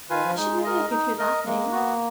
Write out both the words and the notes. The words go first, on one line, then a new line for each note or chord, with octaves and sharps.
I should never give her that name.
D#3 F4 B4 F5 G#5
F3
G#3 D#4
A#4 D#5
D#4
A#4 D#5
G#3 A#3
B3 F#4